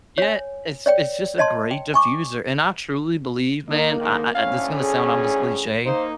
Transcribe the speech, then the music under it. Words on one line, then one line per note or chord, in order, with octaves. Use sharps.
Yeah. It's it's just a great diffuser, and I truly believe, man I I I this is gonna sound almost cliche,
C#5 G#5
C#5 D5 G5
C#5 D#5 A5 C6
G5
G#5 C#6 D6
A#3 D#4
G#2 D3 D#3
D2 A2 C#4 F5
G#4
A#3 D#4 C5